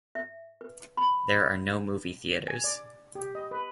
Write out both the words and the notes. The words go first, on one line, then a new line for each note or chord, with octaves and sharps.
There are no movie theatres.
E5
B4
B5
G#5
D5
G4
D#5
B4